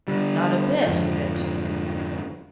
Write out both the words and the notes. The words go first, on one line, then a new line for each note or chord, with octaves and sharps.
'Not a bit of it.
D3 G3
F2 G#2 D3 F3